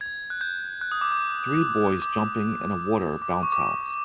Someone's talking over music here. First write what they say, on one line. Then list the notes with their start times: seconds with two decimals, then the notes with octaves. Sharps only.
Three boys jumping in a water bounce house.
0.01 G#6
0.30 F#6
0.41 G6
0.81 F#6
0.92 D#6
1.01 D6
1.12 D6
2.02 D6
3.22 D6
3.32 D6
3.43 C#6
3.52 D6